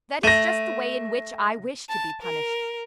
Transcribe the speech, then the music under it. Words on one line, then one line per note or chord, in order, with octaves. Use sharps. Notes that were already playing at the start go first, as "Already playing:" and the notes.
That is just the way in which I wish to be punished.
A3 A#6 D#7
A5
A#4